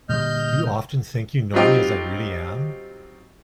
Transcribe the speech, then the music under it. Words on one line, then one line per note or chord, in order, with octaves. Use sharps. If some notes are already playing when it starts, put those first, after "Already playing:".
You often think you know me as I really am?
A#2 D3 G3 D#5 F6 G6
F#3 G3 C4 D#4 F4 G4